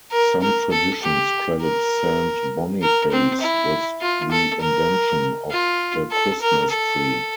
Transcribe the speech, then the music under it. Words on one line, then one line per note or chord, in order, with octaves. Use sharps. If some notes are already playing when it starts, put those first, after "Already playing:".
Some traditions credit Saint Boniface with the invention of the Christmas tree.
A#4
A#4
A4
G4
A#4
A#4
C4
E4
F4
A4
A#4
F4
A4
A#4
A4